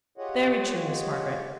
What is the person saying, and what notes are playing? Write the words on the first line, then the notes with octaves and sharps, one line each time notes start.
'Very true, Miss Margaret.
F4 G4 G#4 C#5 D#5 F#5